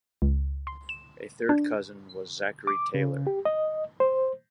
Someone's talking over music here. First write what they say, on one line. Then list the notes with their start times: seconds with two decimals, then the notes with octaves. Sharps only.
A third cousin was Zachary Taylor.
0.22 C#2
0.67 C6
0.89 E7
1.49 D4
2.67 D6
2.94 C#3
3.27 G4
3.45 D#5
4.00 C5